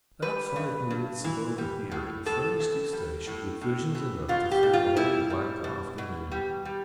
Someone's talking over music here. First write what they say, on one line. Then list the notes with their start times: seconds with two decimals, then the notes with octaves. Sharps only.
That five minutes of overhearing furnished Eustacia with visions enough to fill the whole blank afternoon.
0.22 G3 B4
0.56 G2
0.90 G2
1.24 E3
1.58 G3
1.91 A2
2.26 A2 A4
2.59 E3
2.93 G3
3.27 A2
3.61 A2
3.95 E3
4.29 B2 F4
4.52 G4
4.63 B2
4.73 F4
4.96 G3 E4
5.30 G3
5.64 B2
5.98 B2
6.32 G3
6.65 G3